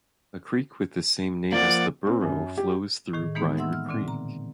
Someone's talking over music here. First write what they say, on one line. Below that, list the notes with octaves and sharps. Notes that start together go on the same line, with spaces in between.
A creek with the same name as the borough flows through Briar Creek.
F3 A#3 D5 F#5
C4
F#2
G4
A2 D#3 G#4
E3 G#3 A#3 B3 D#4
E5 F#5 C6 E6
F6
A#2 D3 C4
A#5